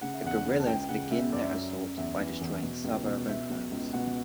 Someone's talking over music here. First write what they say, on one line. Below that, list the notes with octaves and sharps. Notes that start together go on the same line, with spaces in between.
The guerrillas begin their assault by destroying suburban homes.
C#3 F#5
E5
E2 F#5
C#3
A5
C#2 G5
C#3 F#5
C#3 E5
F#2 D5
E5
F#2 D5
F#2
E2 E5
E3
E2
B2
C#2
B2
B2 E5
B2
C#2
B2 F#5